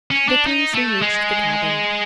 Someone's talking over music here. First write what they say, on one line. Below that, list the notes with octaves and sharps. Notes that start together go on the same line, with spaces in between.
The three soon reached the cabin.
C#4
D4
D#4
A3
G#3